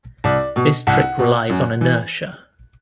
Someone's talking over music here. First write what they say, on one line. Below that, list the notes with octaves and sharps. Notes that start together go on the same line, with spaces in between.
This trick relies on inertia.
C2 D5
B2
C2 F#5
B2
F#2
E3